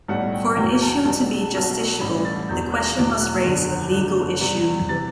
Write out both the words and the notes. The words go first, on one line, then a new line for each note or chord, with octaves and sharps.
For an issue to be justiciable the question must raise a legal issue.
B1 A2 G3 F#5
G5
E2 C3 F#3 G5
A5
B1 B2 G3 A5
B1 B2 F#3
A1 A2 G3 B5
A6
E1 E2 B2 G6
F#6
E1 E2 B2 F#3 D6
F#6
F#1 E2 D3
F#1 F#2 D3 F#6
E2 C3 G3
C3 E3 A6